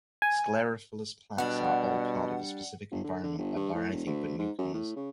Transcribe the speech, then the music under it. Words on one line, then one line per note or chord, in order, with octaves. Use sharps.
Sclerophyllous plants are all part of a specific environment and are anything but newcomers.
G#5
B2 G3 D4 F#5
G1
D3
D3
G1
G2
A2
E1
D2
G#2
F#2
A2
C#3